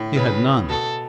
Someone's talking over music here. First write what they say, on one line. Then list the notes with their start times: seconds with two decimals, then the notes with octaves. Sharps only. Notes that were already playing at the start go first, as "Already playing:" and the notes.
He had none.
Already playing: A2
0.16 C#3 B4
0.69 B2 A4